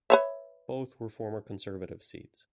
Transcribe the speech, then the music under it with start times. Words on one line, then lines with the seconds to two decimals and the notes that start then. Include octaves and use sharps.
Both were former Conservative seats.
0.10 B4 C#5 E5